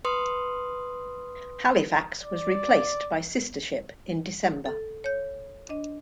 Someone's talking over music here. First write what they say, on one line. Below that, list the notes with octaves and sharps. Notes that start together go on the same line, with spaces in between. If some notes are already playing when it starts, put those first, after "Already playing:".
"Halifax" was replaced by sister ship in December.
B4 C6 D#6
D5
A4
C#5 G6
D4 D#5